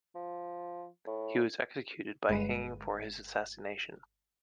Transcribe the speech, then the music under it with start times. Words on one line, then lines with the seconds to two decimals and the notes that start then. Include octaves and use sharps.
He was executed by hanging for his assassination.
0.15 F3
1.07 A2
2.29 G1 G#3 B4 D#7